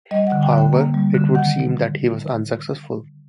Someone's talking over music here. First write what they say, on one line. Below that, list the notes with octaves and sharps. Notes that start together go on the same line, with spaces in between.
However it would seem that he was unsuccessful.
G3 D#5
F#5
D3
G5
D3
G5
A#3
G3
D3
D#3 F#5